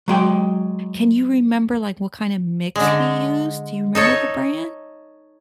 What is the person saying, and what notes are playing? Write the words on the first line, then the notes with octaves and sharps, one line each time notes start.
can you remember, like, what kinda mix he used? Do you remember the brand?
F#3 G#3 G5
D3 G#3
D#4 A4 C#5